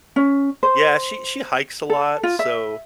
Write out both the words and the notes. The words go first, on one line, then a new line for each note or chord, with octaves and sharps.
Yeah, she she hikes a lot, so
C#4
C5
A4
F4
E5